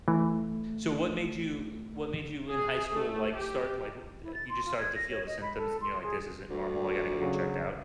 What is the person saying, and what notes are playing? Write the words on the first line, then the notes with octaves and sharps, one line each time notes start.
So, what made you eh, what made you in high school, like, start, like, w the a you just started to feel the symptoms, and you're, like, "This isn't normal. I gotta go get checked out?"
E3 A3
G#4
A3
G4
E4
A6
C6
F4
G#6
A#6
C#5
D#5
B5
A4
C6
G#4
D2
C#3 F#3